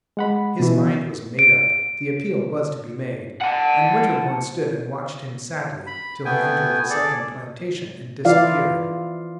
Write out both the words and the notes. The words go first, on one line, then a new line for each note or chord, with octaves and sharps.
His mind was made up, the appeal was to be made; and Winterborne stood and watched him sadly till he entered the second plantation and disappeared.
G#3 F#5 B5
B2 E3
D7
F#5 A5
B5
A3 B3 G5 G#5
G#4 A4 D5
E3 E4 F4 D5 F5